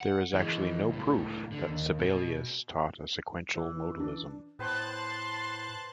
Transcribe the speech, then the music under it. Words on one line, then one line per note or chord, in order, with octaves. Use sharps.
There is actually no proof that Sabellius taught a sequential modalism.
F#5
E3 G#3
C#2 A2
D3
D#2
B2
E3
D4
A2 B3 B4 C5 G5 A5 F#6 A6
C6